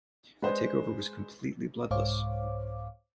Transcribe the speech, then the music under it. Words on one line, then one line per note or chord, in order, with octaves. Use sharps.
The takeover was completely bloodless.
G#3 B4 C5 D5 D#5
C2 G#2 C5 C#5 F5 D6